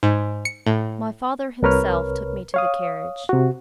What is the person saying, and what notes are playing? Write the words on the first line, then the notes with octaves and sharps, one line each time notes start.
My father himself took me to the carriage.
G#2
C#7
A2
C2 C3 A#4 B4 C#5 F6
C#5 F5 D#6
C3 F#4